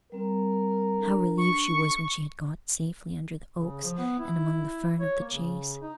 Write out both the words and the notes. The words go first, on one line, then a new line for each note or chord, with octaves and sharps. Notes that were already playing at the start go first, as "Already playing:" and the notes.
How relieved she was when she had got safely under the oaks and among the fern of the Chase!
G3 C4 A#4
D4 A4
C#6
C#3
F3
B3
E4
C#5
A#3
C#3
D#4